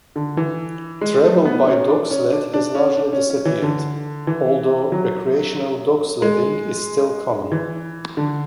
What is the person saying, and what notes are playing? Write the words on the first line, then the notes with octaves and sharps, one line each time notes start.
Travel by dog sled has largely disappeared, although recreational dog-sledding is still common.
D3
E3
G#3
A3
B3
C#4
D4
C#4
D4
D4
C#4
D4
C#4
C#4
E3
D3
E3
F#3
G#3
E3
D3